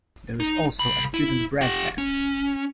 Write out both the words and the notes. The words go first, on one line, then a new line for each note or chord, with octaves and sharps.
There is also a student brass band.
D#4
C2 B5
E4
G4 F#5
C#4